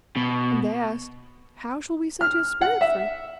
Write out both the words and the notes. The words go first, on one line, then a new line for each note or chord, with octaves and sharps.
And they asked, 'How shall we set your spirit free?'
B2
F6
F#5
E5